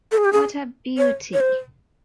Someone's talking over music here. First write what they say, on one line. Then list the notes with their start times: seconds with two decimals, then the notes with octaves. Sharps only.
What a beauty!
0.12 A4
0.18 G#4
0.25 G4
0.33 G#4
0.98 C#5
1.33 C#5
1.40 C5